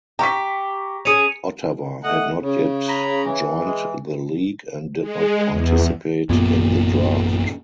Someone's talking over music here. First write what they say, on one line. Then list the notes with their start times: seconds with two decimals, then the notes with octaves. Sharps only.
Ottawa had not yet joined the league and did not participate in the draft.
0.19 G4 A#5 C#6 B6
1.05 C#4 G#4 C#7 D#7 F7
2.03 A3 D#5 F#5
2.43 C#3
2.89 A#5 B5
3.25 E3
3.64 G#3
5.00 G#3
5.50 E2
6.29 A1 F#2 A#2 B3